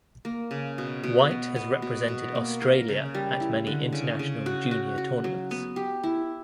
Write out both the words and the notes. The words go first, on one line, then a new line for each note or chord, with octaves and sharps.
White has represented Australia at many international junior tournaments.
A#3
C#3
B2
B2
B3
B3
B2
B2
A#3
A#4
C#3
G3
E4
D3
C#3
C#3
F#4
F#4
F#4
F#3
B3
G4
E4